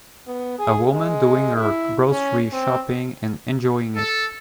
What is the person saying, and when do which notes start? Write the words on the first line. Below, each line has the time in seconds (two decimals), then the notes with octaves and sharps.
A woman doing her grocery shopping and enjoying it.
0.27 B3
0.59 G#4
0.91 G#3
1.57 E4
2.11 C#4
2.52 C4
3.97 A4